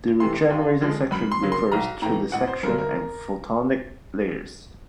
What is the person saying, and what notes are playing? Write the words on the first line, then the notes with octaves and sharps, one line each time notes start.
The regenerator section refers to the section and photonic layers.
C3 E3 A3 C6
D#2
D3 F3 G#3
F#2 B5
C6
C#3 F#3 A#3
C6
B1 A#5
A2 E3 A3 A#5
A1 F#5
C5
G2 D3 F#3 A#4
A#4